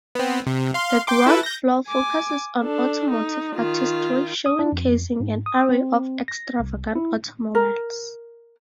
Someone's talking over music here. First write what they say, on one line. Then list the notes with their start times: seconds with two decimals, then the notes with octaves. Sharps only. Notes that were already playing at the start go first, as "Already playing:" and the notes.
The ground floor focuses on automotive artistry, showcasing an array of extravagant automobiles.
0.15 B3 C4
0.47 C3
0.74 F5 C6
1.07 G5 C6 D6
1.26 E4 A4 B4
1.43 G6 A#6
1.88 G#5 D6
2.59 D4 A4
3.10 D#4
3.55 D#3 F4
4.46 D#6
4.59 D4
4.72 F2
5.20 G#2
5.46 D#6
5.69 C4
6.28 A#6
6.60 C2
6.95 E4
7.55 A#4